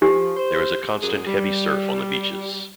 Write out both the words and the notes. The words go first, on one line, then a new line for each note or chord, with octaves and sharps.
There is a constant, heavy surf on the beaches.
F3 G4
C5
F#2 G#4
G3